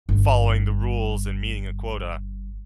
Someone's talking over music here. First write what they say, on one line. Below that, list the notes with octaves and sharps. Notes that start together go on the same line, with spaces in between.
following the rules and meeting a quota.
G1 G2